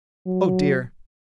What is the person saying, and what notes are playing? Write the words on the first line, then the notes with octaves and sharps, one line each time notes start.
Oh! dear.
F#3